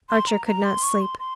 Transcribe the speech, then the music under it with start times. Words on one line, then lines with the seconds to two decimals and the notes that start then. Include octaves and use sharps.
Archer could not sleep.
0.09 C6
0.28 A#5
0.46 A#5
0.64 C6
0.83 C#6
1.02 C6
1.19 C6